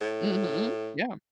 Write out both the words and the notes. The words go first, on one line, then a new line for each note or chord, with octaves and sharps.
Mhm, yeah.
A2